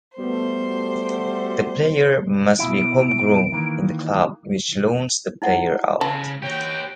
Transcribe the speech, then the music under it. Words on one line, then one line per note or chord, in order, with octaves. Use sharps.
The player must be homegrown in the club which loans the player out.
G3 A3 B3 F#4 C5
B2 E4 D7
D#3 E3 A#3
D#4 E4 F#5
C#3 A4
F#4 G4 C#5 G5